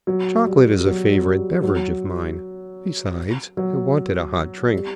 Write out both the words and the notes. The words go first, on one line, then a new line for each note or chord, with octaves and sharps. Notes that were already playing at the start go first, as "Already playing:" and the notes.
Chocolate is a favorite beverage of mine; besides, I wanted a hot drink.
F#3
G3
F#3
F#3
G3
F#3
F#3
G3